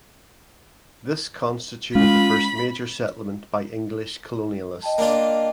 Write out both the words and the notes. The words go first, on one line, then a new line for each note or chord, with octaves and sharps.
This constituted the first major settlement by English colonialists.
G#3 C#4 F4 B5
D#5 G5 A5
A#3 D4 F4